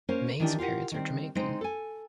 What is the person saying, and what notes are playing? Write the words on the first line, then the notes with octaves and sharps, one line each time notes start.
May's parents are Jamaican.
A#3 C#4 A#4 C5 C#5
D#3 E3 D4 E4 G4
F4 G4 A#4 F#5
D#3 G3 C4
G#3 C4 D#4
A4 G#5